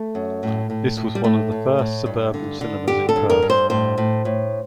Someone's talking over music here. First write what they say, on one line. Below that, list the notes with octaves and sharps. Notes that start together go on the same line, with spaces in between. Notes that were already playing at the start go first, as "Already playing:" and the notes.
This was one of the first suburban cinemas in Perth.
Already playing: A3
F#2
A2
A2
A2
G3
A2 A3
A2
A2
G2
D3
D3
D3 G4
A4
G2
A#4
G2
C5
A2 C5
A2
A2